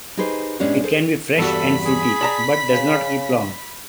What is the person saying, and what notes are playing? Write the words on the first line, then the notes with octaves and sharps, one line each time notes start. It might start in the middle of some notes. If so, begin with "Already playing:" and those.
It can be fresh and fruity, but does not keep long.
D#4 G4 G#4 B4 C5 D#5
A2 G#3 B3 C#4 D4 G4
G#4 A4 C5
E2 G2 F#4 A4 B5 B6
G#4
D5 A5 A#5
C#3